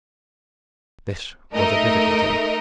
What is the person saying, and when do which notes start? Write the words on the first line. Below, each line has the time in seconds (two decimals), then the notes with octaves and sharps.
This was a difficulty.
1.54 A3 D#4 A#4 D#5 E5